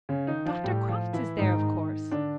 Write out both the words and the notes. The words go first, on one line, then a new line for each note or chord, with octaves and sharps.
Dr. Crofts is there, of course.
C#3 C#4
D#3 D#4
F3 F4
A2 G3 G4
F3 F4
E3 E4
G#2 D#3 D#4
D3 D4